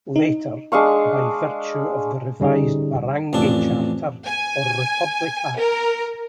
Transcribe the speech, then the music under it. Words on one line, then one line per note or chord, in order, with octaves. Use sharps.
Later, by virtue of the revised Barangay Charter or Republic Act.
D#4
G#3 D4 F5 C#6
D3 G3 C#4 D#4 G#4
A1 F2 D4
G#5
A#4